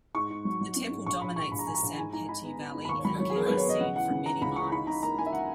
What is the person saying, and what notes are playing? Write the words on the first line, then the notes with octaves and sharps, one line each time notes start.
The temple dominates the Sanpete Valley, and can be seen from many miles.
G#2 C#6
G#2
F#3
F#3
C#4
G#2
A#1 C#6
A#1 B5
A#1 C#6
A#1 B5
A#5
A#1 G#5
A#5
A#1
G#2 G#5
D#4 A#5
D#4 B5
B3
B3
G#2
B5
D#2 C#6
F#3 B5
F#3 C#5
G#4
B3 A#4
B4
F#3
C#5
B3 D#5
C#3 F#5
E3 F#5
C#3
E3 A#5
C#2 B5
E3 C#6
D#4 B5
D#4 A#5
A#3 A#5
A#3 G#5
E5
F#5